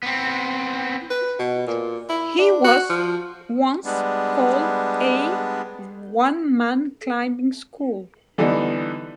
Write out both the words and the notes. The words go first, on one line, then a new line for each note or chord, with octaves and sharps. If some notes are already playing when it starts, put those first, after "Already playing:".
He was once called A one man climbing school.
B3 C4
B4
B2
A#2
E4
D4
F#4
F3
G3 G#3 B3 D4
D3 E3 G3 B3 D4 D#4